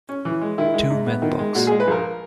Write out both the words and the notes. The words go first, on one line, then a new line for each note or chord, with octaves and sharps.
Two men box.
C#4
E3
G#3
D#3 E4
G#3
G#2
B3
D#3
G#3
A#2 F#4
G#3 G#4
B4
A#1 A#4